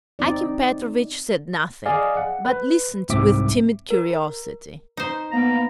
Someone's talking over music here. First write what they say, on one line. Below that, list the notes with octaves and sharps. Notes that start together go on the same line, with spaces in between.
Akim Petrovitch said nothing, but listened with timid curiosity.
C4 D#4 D5
G#4 D5 D#5 F5 G#5
F#5
B4
C2 G#2 C4 E5 D6
A#4
D#4 C5
A#3 B3 A#5